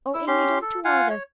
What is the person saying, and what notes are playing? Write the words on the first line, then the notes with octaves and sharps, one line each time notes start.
'O Amy, don't do all this.
E4 E6
C#4 G4 C6
A4
F4 F5 F#5 G#5
C#5